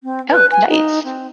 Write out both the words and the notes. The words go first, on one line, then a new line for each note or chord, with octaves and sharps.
Oh, nice.
C4
B4
G#5
D#4
C4